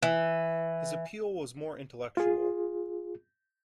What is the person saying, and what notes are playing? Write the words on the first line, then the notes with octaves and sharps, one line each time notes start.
His appeal was more intellectual.
E3
F4 G#4